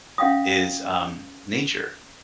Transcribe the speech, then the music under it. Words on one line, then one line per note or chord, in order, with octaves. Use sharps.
is, um, nature.
C#4 E5 F5 G5 D#6